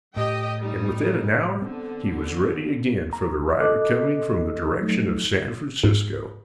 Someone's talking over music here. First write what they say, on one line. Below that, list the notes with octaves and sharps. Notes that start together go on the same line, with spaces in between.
And within an hour he was ready again for the rider coming from the direction of San Francisco.
A2 G4 D#5 G5
G3 D#4
D3 B3 C4
A#5
A4 D#5 D6 F#6
F#3 A3 D#4
G#2